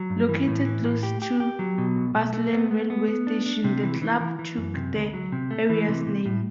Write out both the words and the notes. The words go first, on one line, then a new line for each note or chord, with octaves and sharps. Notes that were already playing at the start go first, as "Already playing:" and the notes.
Located close to Burslem railway station, the club took the area's name.
Already playing: F#3
G2
E3
A2
E3
A2
G4
G4
G4
F#3
B2
B1
B1
A3
B3
B3
B3
B3
D4
D4
C3
E3
E3
E3
E3
F#2
C3
D2
F#3
C3
A3
E3
C3
C3
A2